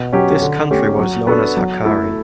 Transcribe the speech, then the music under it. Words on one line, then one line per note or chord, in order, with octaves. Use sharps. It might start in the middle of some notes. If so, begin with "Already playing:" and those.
This country was known as Hakkari.
Already playing: B2
F#3 C#4 G4
D3
A3 C#4 G4
F#3
B3 D4 F#4 A4
F#3
A3 E4 A4